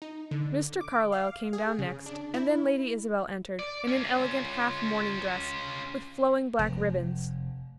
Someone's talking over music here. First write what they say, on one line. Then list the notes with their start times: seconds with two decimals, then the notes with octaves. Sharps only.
Mr. Carlyle came down next; and then Lady Isabel entered, in an elegant half-mourning dress, with flowing black ribbons.
0.02 D#4
0.31 D3
0.81 D6
1.12 F5
1.53 G#4
1.79 C#3
2.06 D4
2.34 E4
3.59 D5
3.88 C#4 F4
6.59 F1